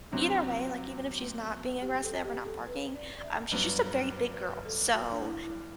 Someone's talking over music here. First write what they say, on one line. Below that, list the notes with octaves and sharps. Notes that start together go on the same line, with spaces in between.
Either way, like, even if she's not being aggressive, or not barking, um, she's just a very big girl, so
C3 F#3 C4 D4
B3
A3
B3
B3
G4
A4
G4
A4
B4
D5
D5
E5
G2 F#3 B3
C5
B4
A4
F#4
D4
E4
E4